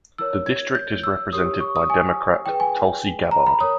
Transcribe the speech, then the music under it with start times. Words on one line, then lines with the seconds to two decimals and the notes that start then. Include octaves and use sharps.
The district is represented by Democrat Tulsi Gabbard.
0.18 E4 A#4 C#5 E6
0.46 G#6
0.75 G6
1.04 E6
1.33 G4 A#4 C#5 D#6
1.60 C#6
1.76 D#6
1.90 G#5
2.46 E4 G#4 B4 G5
2.60 G#5
3.31 A#5
3.46 B5
3.60 A#4 C#5 D#6